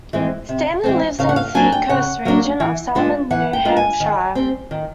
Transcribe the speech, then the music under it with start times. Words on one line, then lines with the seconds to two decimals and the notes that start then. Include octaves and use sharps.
Stanley lives in the Seacoast region of southern New Hampshire.
0.13 E3 G#3 C4
0.49 C3
0.84 E3 G#3 C4
1.19 C#3 F5
1.29 F#5
1.36 F5
1.54 F#3 A#3 D4 G#5
1.72 G5
1.89 C#3 F#5
2.25 F#3 A#3 D4
2.60 E3
2.95 G#3 B3 D4 F4
3.30 E3 F#5
3.53 G5
3.65 G#3 B3 D4 F4
3.77 G#5
4.00 D#3
4.35 G3 C4
4.71 D#3